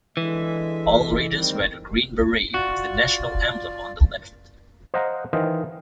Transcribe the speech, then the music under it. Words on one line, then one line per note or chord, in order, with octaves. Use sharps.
All Raiders wear the green beret with the national emblem on the left.
D3 E3 G#3 E5
D#3 G3 C4
F4 F#4 D5
C5 D#5 F5 F#5 A#5
D#3 E3 C5 D#5 F5